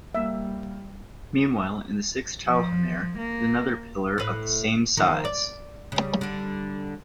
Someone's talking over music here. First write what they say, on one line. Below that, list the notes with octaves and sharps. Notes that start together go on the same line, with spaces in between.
Meanwhile, in the sixth talhamare is another pillar of the same size.
G3 A#3 E5
F3
A#3
A2 B4
D#3 F3 A#3
D5
C#3 G3
D3 G3